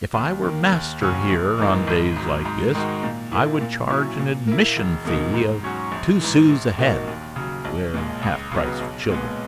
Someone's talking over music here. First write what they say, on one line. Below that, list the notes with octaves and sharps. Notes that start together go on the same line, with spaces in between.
If I were master here, on days like this, I would charge an admission fee of two sous a head, with half-price for children.
D#2
D#3 A#3
D#2
C#3 F#3 C#4 F#4
A#1
G#2 E3 A#3 D#4
G#1
G#2 F#3
G#2
D#3 G#3 D#4 F#4
A#2
A#3 E4
A#2
F#3 C#4 E4
A#2
A#3 E4
E1
E2 B2 A#3 D#4
G#2
F#3 C#4 F#4
A#1
G#2 E3
A#1
A#2 A#3 D#4 F#4
D#2
C#3 F#3
B1
A#2 G#3
C#2
C#3 F#3 B3
B1
A#2 G#3 B3